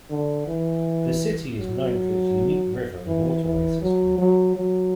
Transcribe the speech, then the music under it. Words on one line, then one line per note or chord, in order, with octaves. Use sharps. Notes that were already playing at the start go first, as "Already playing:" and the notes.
The city is known for its unique river and waterway system.
D3
E3
F#3
E3
E3
F#3
F#3
F#3